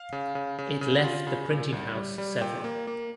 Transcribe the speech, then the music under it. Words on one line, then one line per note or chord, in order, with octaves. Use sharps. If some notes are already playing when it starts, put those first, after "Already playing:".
It left the printing house several.
Already playing: F5
C#3
C#3
C#3
C#3
F4
C#3
A#2
C2
G3
G3
A#2 G5
A#3
A#3